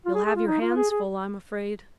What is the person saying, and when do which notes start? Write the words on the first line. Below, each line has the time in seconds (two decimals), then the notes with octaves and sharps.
You'll have your hands full, I'm afraid.
0.06 F4
0.15 G#4
0.25 G#4
0.36 F4
0.47 D#4
0.61 F4
0.76 G#4
0.90 G#4